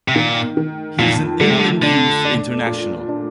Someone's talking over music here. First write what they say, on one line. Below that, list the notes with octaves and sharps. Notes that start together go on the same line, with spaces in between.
He is an England youth international.
C3
A#2 D#3
D#3
F2 A#2
D3 A3
C3
D3
D3 D4
D4
A#2
D4